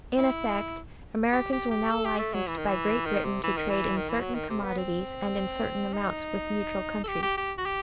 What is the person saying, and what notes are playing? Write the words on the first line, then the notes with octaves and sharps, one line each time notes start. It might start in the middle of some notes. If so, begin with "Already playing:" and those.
In effect, Americans were now licensed by Great Britain to trade in certain commodities and in certain amounts with neutral countries.
E4
G4
G4
G4
A4
G4
A3
F#3
E3
D#3
E3
D#3
C3
E3
D#3
E3
D#3
E3
F#3
D#3
C3
B3
C4
D#4
A4
G4
G4
G4
F#4
G4